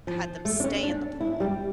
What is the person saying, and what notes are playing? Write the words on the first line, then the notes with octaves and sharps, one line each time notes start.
had them stay in the pool
F3
A3
D4
C#4
D4
E4
G3